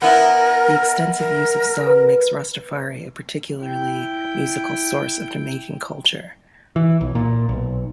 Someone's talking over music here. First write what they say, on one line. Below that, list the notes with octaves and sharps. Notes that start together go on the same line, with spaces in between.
The extensive use of song makes Rastafari a particularly musical source of Jamaican culture.
B3 E4 A#4
A#4
B4
E4 G5
E3
B1
A#2
B1